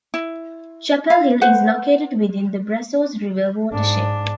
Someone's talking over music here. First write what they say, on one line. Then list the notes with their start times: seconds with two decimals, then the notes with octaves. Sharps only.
Chappell Hill is located within the Brazos River watershed.
0.14 E4
1.10 F4 F5
1.41 B4 C5 F#5
3.73 G#2 D4